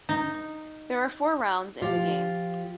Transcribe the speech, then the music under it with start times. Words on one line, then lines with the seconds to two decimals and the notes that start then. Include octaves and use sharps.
There are four rounds in the game.
0.09 D#4
1.82 F3 F4 G4